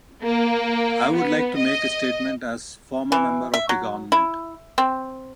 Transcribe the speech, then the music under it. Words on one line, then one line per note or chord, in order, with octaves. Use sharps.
I would like to make a statement as former member of the Government.
A#3
B3
D#5
E3
E5
F#3
E4
C4